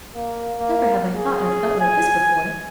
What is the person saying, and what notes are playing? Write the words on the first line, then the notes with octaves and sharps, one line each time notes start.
Never have I thought or felt like this before!
A#3
A#3
G#4
G#5